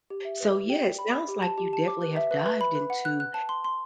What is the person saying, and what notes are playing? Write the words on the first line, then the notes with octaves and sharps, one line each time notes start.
So, yes, it sounds like you definitely have dived into
G4
E5
B4
G4
G5
D5
B5
B5
G4
A5
G4
A5
D6
B4
E5
B4
B4
B5
B4
F#5
F#6
F#6
A5
C6
C6